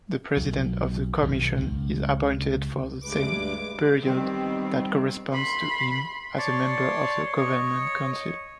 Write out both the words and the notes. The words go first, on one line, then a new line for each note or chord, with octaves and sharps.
The president of the Comission is appointed for the same period that corresponds to him as a member of the Government Council.
B1
B1 F#2 D#3
C#2
D2 G2 G#3 B4 D6
D#3 G3 B3 C4
B5 C6
C#5 D5 A5 C6
C#5 D#5